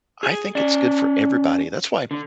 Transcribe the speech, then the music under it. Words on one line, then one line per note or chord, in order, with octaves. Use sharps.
I think it's good for everybody. That's why
G#4
C#4 D5
D3